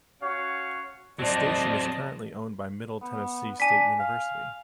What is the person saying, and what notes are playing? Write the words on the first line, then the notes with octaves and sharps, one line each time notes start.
The station is currently owned by Middle Tennessee State University.
C#4 F#4 C#5 F5 F#5 C#6
F#3 C4 D5 D#5 A5
B3
D4 G#5 B6
F5